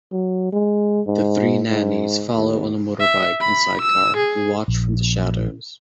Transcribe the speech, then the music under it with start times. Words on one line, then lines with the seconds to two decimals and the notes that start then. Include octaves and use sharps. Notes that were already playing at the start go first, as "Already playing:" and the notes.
The three nannies follow on a motorbike and sidecar and watch from the shadows.
0.12 F#3
0.52 G#3
1.07 G#2
1.71 G#2
2.36 D#2
3.00 E5
3.41 B5
3.82 E6
4.17 G#4
4.68 A#1